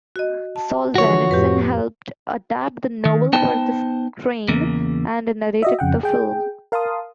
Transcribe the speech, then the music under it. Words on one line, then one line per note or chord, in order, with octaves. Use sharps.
Solzhenitsyn helped adapt the novel for the screen and narrated the film.
F#4 D#5
A5
D3 E3 F3 F#4 C#5
F2 A2 G4 B4
D#3
B3 D#4 C5 G5 A5
E2 C#3 A#3
F#4 D#5 E5
F2 C#3 F#5 G5
G#4 G5
A#4 F5 A5 C6 D#6